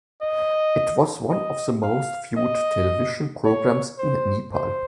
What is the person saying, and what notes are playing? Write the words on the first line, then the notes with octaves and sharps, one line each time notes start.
It was one of the most viewed television programs in Nepal.
D#5
D#5
F5
D#5
C#5
C5
C5